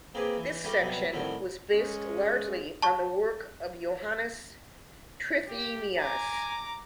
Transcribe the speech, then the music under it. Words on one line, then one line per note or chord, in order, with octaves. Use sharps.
This section was based largely on the work of Johannes Trithemius.
A#3 C4 G4 G#4 B4 F5
E3
G3 A3 C#4 F4 G4
C3 F#3 G3 B3
A2 D3 D#3 G3 C4 C#4
G#3 C#4
A5 C#6
G4
G#5 A#5 D6